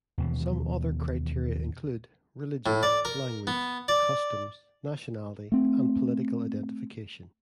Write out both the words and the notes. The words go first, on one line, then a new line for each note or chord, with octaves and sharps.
Some other criteria include: "religion, language, 'customs,' nationality, and political identification".
D#2 B2 E3 F3
A2
D5
A#4
B3
D5
A3 C4